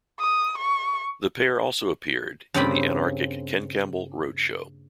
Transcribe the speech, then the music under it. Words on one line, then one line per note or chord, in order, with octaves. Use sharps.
The pair also appeared in the anarchic Ken Campbell Road Show.
D#6
C#6
G2 C#3 A#3 C4 D5 B5